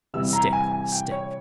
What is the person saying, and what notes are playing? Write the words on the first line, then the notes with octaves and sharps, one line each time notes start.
'Stick, stick!
C3 E3 G3 E6
A#5
G#5
G#5
G5
C#5